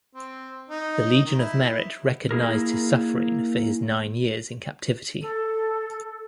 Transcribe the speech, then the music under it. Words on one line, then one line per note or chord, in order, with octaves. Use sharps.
The Legion of Merit recognized his suffering for his nine years in captivity.
C4
D#4
D#3
E4
A#3 E4 G#4 A#4
A4